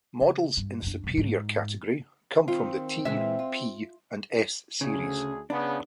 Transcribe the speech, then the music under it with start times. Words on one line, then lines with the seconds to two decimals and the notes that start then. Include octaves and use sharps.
Models in the superior category come from the T, P and S-series.
0.21 C#3
0.57 G2
0.82 F#2 D4
1.04 B1 F#2
1.17 G#2
2.48 D#3 C4 F4
3.05 A#2 E3 G#3 E5
3.39 F4
4.81 D2 C#3 G#4
5.50 C#3 B3 D4